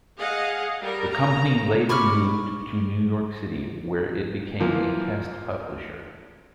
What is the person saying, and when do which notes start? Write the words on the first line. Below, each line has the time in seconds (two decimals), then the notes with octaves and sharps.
The company later moved to New York City, where it became a test publisher.
0.18 G#4 D#5 F5 F#5
0.79 G3 A#4
1.11 A#5
1.89 B5 C#6 D6 F6
4.60 E3 F3 A#3